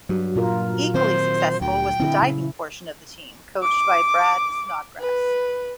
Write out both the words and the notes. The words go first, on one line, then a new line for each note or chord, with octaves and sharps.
Equally successful was the diving portion of the team coached by Brad Snodgrass.
G2 F#3
A#2 F4 A#4
D#3 C4 C5
D2 G5
D3 C4 E4
C#3
D6
B4